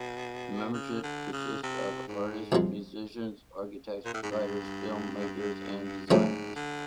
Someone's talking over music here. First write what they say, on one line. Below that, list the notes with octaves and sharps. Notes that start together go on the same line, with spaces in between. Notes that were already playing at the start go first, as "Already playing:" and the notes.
The membership consists of artists, musicians, architects, writers, film makers and designers.
Already playing: B2
C#3
D3
C#3
C3
G#2
C2 C3 F3 G#3
A#2
A2
G#2
G2
G2
D2 G#2 C#3 F3 A3 C#4
D3